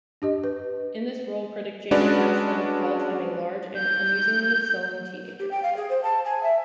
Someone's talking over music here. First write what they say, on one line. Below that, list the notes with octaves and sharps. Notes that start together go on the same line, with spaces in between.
In this role, critic Janet Maslin called him a "large and amusingly sullen teenager".
D4 G4 D#5
B4
G#3 C#4 D4 F#4 B4 D5
G6
G4
G5
F5
G#4
C5
A5
G#5
E5